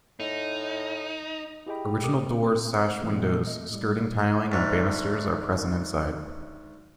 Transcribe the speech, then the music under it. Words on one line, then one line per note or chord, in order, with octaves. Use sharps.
Original doors sash windows skirting tiling and banisters are present inside.
A2 D#4
E4 G4 G#4 D#5 G5 B5
G4 A4 A#4 D6 D#6
C4
A#2 E3 G3 A3 A#3 C4
A3 D#5
A2 G3
D2 G#2